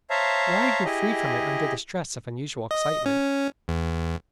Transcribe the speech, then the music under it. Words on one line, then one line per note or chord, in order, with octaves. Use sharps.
Why are you free from it under the stress of unusual excitement?
C5 C#5 E5 F5 A5 A#5
E4 G4 G#4 D#5
D#5
C#4
E2